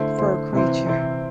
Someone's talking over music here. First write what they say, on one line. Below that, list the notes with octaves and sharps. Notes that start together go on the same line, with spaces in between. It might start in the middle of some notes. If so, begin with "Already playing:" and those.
fur creature,
Already playing: D3 A3 E4 C5
D3 A3 E4 C5
C3 E3 C4 E4 C5
C3 E3 C4 E4 C5